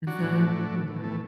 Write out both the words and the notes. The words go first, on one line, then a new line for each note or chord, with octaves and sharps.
Mhm. Mhm.
F#3 D4 F#4
A2
A3
A2
A2
A2
A3